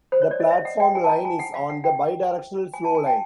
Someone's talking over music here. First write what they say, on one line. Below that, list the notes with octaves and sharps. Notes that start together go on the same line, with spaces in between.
The platform line is on the bidirectional slow line.
C5
C#5
D5
D#5
E5
F#5
G5
G#5
A5
A#5
G#5
F#5
F5
F#5
G5
G#5
A5
G#5
G5